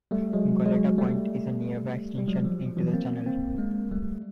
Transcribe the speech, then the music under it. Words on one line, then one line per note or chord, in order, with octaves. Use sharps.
Goleta Point is a nearby extension into the channel.
G3 A3
F#3 G#3
F#3 G#3
G3 A3
G3
F#3 G#3
F3 G3
F3
E3 F#3
A#3 C4
A#3 C4
G#3 A#3
G3 A3